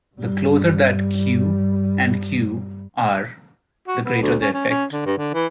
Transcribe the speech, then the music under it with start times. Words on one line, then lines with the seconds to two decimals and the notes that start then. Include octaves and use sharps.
The closer that "q" and "q" are, the greater the effect.
0.15 G2 G3
3.88 F#4
4.05 B3
4.22 D2
4.41 C#4
4.53 C#4
4.70 C#4
4.93 D3
5.06 G2
5.18 D3
5.34 E3